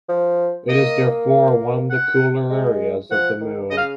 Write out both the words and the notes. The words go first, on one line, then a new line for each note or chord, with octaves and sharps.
It is therefore one of the cooler areas of the Moon.
F3
A#3 D#5
F#5
G#3
F3 F#5
D#3
C#3 D#5
F5